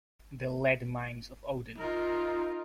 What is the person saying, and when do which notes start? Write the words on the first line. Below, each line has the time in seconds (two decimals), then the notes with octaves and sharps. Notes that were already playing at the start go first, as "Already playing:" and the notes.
The lead mines of Odin.
1.78 D#4 F4 A#4